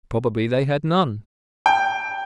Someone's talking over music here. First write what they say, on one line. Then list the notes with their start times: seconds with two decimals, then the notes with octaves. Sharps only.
Probably they had none.
1.66 G5